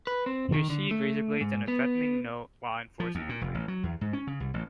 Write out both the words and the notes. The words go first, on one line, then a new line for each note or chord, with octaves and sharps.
He received razor blades and a threatening note law enforcement claim.
B4
C4
D#3
D3
A3
G#2
B3
F3
D#2
A#2
F1
A1
F#3
E2
G#2
C#4
C#3
C2
A1